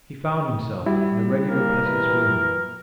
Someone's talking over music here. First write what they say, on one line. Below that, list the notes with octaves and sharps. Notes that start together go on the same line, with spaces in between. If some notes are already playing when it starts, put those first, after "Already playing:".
He found himself in a regular peasant's room.
G3 E4 F#4
A#3 A#4
E3 B4